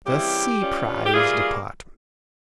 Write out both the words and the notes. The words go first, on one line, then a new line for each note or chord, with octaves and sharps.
"The Sea Prize Department."
C#3 E3 G3 C4 E4 G4
G2 G3 C#4 F4
G4
E3 G3 A#3 F4 G#4